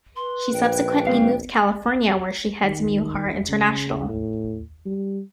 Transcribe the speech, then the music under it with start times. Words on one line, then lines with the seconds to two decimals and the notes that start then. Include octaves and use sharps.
She subsequently moved California where she heads Miyohara International.
0.16 B4 C6
0.53 A#1 G5
1.07 G#3 C4 F5
2.64 D#3
3.49 C#3
4.09 A2
4.86 G3